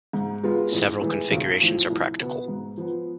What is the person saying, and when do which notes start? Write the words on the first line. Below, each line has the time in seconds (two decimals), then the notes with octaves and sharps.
Several configurations are practical.
0.13 G#2
0.43 G#3 B3 F4
0.72 A1
1.02 A2 E3 G#3
1.31 B1
1.61 A2 F3
1.90 C2
2.20 B2 B3
2.48 G#2
2.77 F3 B3